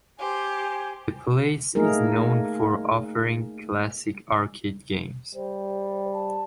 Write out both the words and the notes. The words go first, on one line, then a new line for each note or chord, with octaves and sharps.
The place is known for offering classic arcade games.
G4 C5 G#5
A3 A#3 D#4 G#4 A#4
G3 C5
A5